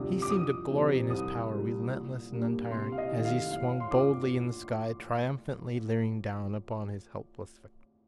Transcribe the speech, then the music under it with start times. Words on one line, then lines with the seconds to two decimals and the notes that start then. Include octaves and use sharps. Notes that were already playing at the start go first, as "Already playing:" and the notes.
He seemed to glory in his power, relentless and untiring, as he swung boldly in the sky, triumphantly leering down upon his helpless victims.
Already playing: D2 C3 G3 D4 F4 D#6
0.22 D6
0.30 F2 D#6
0.70 C3 F3 C4 D#4
1.10 C2 D#6
1.51 A#2 G3
1.91 A#2
2.31 G3 A#3 D4
2.71 C3 C6
2.92 F5
2.98 D#5
3.11 D#3 A3
3.25 F5
3.51 A2 F5
3.80 C6
3.91 D4 F4 D6